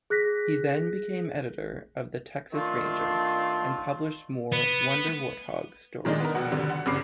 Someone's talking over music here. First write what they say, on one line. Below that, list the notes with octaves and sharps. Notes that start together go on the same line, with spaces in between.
He then became editor of "The Texas Ranger" and published more "Wonder Wart-Hog" stories.
G#4 F#6 A#6 B6
D#3 A3 C4 D4 F4
B3
A#2 D#3 G#3 D4 D#4
B3 A#4
F1 B2 F#5
G#1 D3 G3
F#5
G1 G2 C#3 D6 C7